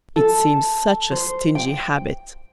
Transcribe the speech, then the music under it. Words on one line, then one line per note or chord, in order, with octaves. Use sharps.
It seems such a stingy habit.
A4
C5
G5